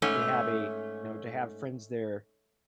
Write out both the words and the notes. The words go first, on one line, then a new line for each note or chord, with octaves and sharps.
to have a know, to friends there.
G#2 A3 C#4